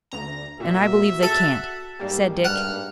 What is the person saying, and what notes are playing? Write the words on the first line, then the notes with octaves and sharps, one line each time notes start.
"And I believe they can't," said Dick.
D2 A#5
A#2 F#4 E5
A4 F#5
G#2 G3 A#3 G4
G2 F#5 F6